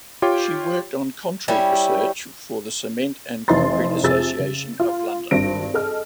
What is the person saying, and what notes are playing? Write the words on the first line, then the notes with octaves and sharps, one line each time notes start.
She worked on concrete research for the Cement and Concrete Association of London.
F4 G4 C#5 G5 D6
G3 C#4 E4
F1 E3 D#4 C5 C6 A6
F2 C3 G#4 E6 A6
C#3
F4
G#1 G2 C4 A#6 D7
G#4 A4 D#5 F6